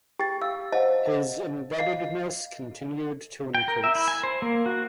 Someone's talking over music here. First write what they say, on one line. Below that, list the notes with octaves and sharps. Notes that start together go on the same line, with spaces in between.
His indebtedness continued to increase.
G4 G5 A6
F5 E6
C5 C#5 D#5 F5 F#5 A5
D#5
D#5 F5 C7
G5
A#4
E5
E4
G#5
C5
A#3
F#4